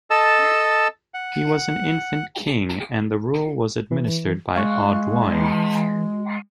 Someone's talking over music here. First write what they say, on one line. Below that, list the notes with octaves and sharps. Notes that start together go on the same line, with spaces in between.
He was an infant king, and the rule was administered by Audoin.
A4 D#5 A5 E6
F#5
E3
G#3 F5 C#6 F#6
E3